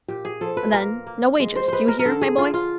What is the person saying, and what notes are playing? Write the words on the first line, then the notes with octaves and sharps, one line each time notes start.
And then, no wages, do you hear, my boy?
A#2 G4
G#4
F3 A4
B4
A#3 A#4
A#3
G#3
C5
G#3 B4 C5
A#4
A#4
D3 A4
G#4
D3 F4
F4